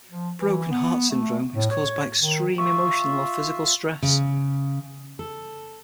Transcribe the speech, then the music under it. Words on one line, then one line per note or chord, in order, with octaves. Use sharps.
Broken heart syndrome is caused by extreme emotional or physical stress.
F3
E3
B3
A3
A2
C#5
D#3
F4 E5 C#6
C#3
A4